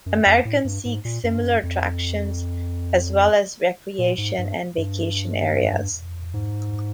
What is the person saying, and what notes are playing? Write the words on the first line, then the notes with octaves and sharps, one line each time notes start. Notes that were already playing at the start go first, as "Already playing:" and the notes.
Americans seek similar attractions, as well as recreation and vacation areas.
F#2
F2
A2
G2
G#2
A#2
F#2
G2
F#2
F2
A#2
G#2
G2
G2
G#2